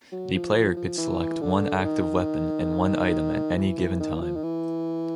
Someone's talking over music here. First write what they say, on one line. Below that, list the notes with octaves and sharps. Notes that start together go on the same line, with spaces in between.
The player could select one active weapon and one item at any given time.
F#3
F3
F3
F3
E3
D3
D3
D#3
E3
E3
D#3
E3
F3
D#3
E3